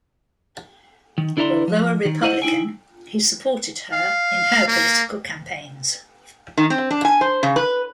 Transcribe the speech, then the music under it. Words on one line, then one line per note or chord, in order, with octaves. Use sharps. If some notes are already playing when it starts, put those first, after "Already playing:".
Although a Republican, he supported her in her political campaigns.
D#3
D3 E4 D5 E5 A#5 C6
F3
D#3
E4 C5 D#5 F#5
D#4 E4 G5 G#5
F5
A#3
D#3
C4
D4
G#5
C5
C#3
B4